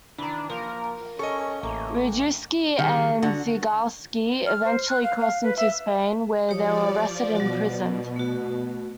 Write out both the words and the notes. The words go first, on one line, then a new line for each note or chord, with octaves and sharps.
Rejewski and Zygalski eventually crossed into Spain, where they were arrested and imprisoned.
D#3 E3 D4
F3 A#3 A#4
C#4 A4 D#5 C#6
A1 A3 A#3
D#3 G3 G#4
D3 F#4
F6
C5
F#6
F5
F5
B4
E5
F3 G4 C#5 D5 D#6
B2 F#3 F#4
A3 F#4